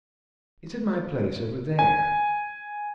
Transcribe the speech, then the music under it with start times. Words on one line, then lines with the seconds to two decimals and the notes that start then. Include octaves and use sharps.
It's at my place over there.'
1.79 G#5